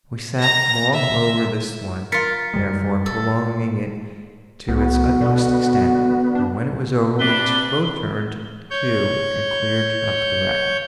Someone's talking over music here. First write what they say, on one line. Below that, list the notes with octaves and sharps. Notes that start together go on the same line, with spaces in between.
We sat long over this one, therefore, prolonging it to its utmost extent; and when it was over, we both turned to and cleared up the wreck.
A#5 A#6
E5
F4 A#4 A6 B6 C#7
F#2 G3 G#3
A4
C2 B3 F#4
B2 D3
D4
C3 D4 B4 G7
C#5 G6